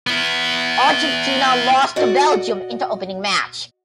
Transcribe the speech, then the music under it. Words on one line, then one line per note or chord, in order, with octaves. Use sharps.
Argentina lost to Belgium in the opening match.
B3 E4
F#4 D5 D#5 F#5